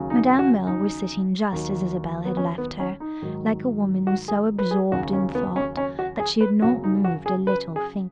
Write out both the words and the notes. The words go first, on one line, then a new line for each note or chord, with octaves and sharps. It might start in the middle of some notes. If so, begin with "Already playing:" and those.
Madame Merle was sitting just as Isabel had left her, like a woman so absorbed in thought that she had not moved a little finger.
Already playing: D#2 C#3 F#3
D#4
F#4
D#4
D#2 D#3 F#3
B3
C#4
B3
C#4
D#4
G#2 D#3 F#3
F#4
G#4
B4
G#4
D#2 C#3 F#3 F#4
C#4
B3
C#4
C#4
F#4
G#4
B4
F#2 C#3 F#3 F#4
D#4
F#4
G#4
B4
G#4